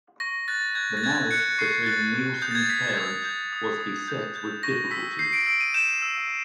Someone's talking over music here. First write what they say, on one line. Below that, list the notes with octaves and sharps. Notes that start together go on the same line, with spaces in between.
The marriage between Nilsen's parents was beset with difficulties.
C#6 A#6
F#6 A6
F#6 G#6
A6
F#6 G#6
F#6 C#7
C#6 C7
F#6 A6
C#6
D#6 G6
A6
G#6
G6 B6
D#6 G#6
G6
D#6
D#6
G6
G6
C#6 A#6
E6 B6
G6 C7
D7
E6 D7
D#7
G6 E7
E6